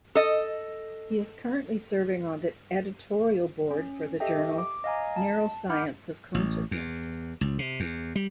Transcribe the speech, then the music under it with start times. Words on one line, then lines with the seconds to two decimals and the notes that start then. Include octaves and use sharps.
He is currently serving on the editorial board for the journal Neuroscience of Consciousness.
0.15 A4 D#5
3.71 C#4
4.20 G4 A4 D#5 E5 G5
4.58 D6
4.84 D#5 F5 G#5 A#5
5.16 A5
5.69 D#4 F#5 B5 D6 F6 G6
6.34 A1
6.71 E2
7.41 C#2
7.59 C3
7.80 E2
8.16 G3